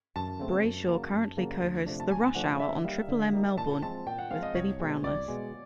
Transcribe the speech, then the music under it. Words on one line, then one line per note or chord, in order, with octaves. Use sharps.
Brayshaw currently co-hosts "The Rush Hour" on Triple M Melbourne with Billy Brownless.
F#2 A5
C#3 F#3 A3 C4
F#2
C#3 F#3 A#3
F#2
C#3 F#3 A#3
D2
C3 F3 A3 D4
A5
D2 G#5
C3 F3 A3 D4 F#5
D3 E5
G3 A#3 D#4 F5
D3
G3 A#3 D#4
A#2 A5
F3 G#3 C4 A5
A#2 G5
F#5
F3 G#3 C4 F5
D#5
C2 C#5
B2 G#3
C2 D5
B2 G#3